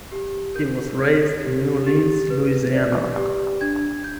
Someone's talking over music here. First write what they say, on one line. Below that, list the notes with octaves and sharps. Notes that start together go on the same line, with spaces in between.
He was raised in New Orleans, Louisiana.
G4
A#4 G6
C#5 G#6
G4
G4 A6
B4
D5
G4
D4 G#6
G6